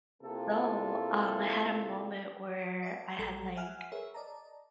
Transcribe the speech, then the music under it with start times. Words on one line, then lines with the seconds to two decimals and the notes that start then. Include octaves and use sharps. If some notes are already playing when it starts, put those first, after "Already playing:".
so, um, I had a moment where I had, like
0.23 C3 A#3 E4 F4 G#4 A4
2.83 D5 E5 G#5 A5
3.19 A#1 G3 A4 A#5
3.56 E5 F#5 G#5 F6 F#6
3.92 G#4 A#4 B4 C#5 E5
4.14 D5 D#5 A5 A#5